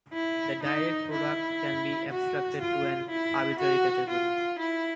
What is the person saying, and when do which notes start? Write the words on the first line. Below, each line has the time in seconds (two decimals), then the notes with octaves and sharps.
The direct product can be abstracted to an arbitrary category.
0.13 E4
0.63 D#4
1.12 E4
2.11 F#4
2.61 F4
3.10 E4
3.60 F#4
4.10 F4
4.59 E4